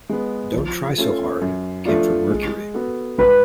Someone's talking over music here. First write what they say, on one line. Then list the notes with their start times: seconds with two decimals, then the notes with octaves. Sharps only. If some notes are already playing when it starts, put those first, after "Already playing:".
"Don't Try So Hard" came from Mercury.
0.09 G#3 B3
0.54 F3
0.98 A3 C#4 F4 A4
1.42 F#2
1.85 F3 A3 D4 F4
2.31 G#3
2.74 B3 F#4 A4
3.18 G#2 B4